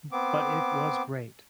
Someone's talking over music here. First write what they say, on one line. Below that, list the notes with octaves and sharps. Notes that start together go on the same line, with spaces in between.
But it was great.
B3 C4 D6